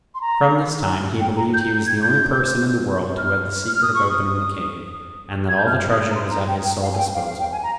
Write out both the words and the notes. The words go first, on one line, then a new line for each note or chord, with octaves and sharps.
From this time he believed he was the only person in the world who had the secret of opening the cave, and that all the treasure was at his sole disposal.
C6
A#5
G5
A#5
G6
G6
G#6
G6
F6
F6
D#6
C#6
D#6
G#6
G6
F6
D#6
A#5
C6
A#5
G5
G5
F5
G#5
G5
F5
F5
G5
G#5
A#5